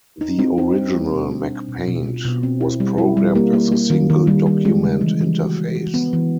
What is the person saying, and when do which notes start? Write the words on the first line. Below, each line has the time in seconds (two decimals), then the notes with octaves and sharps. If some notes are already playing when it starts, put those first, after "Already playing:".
The original MacPaint was programmed as a single-document interface.
0.21 D#4
0.39 C4
0.58 D#4
0.76 D#4
0.94 G3
1.14 B2
1.32 D4
1.50 D4
1.68 B2
1.87 B2
2.06 F4
2.25 B2
2.43 C4
2.61 E4
2.80 G3
2.98 E4
3.17 G3
3.35 A#3
3.53 A#3
3.72 A#3
3.90 D#3
4.10 D#3
4.27 G3
4.46 G3
4.65 G#3
4.84 C#3
5.01 E3
5.21 E3
5.38 F#4
5.57 F#4
5.75 F#4
5.94 B3
6.13 E3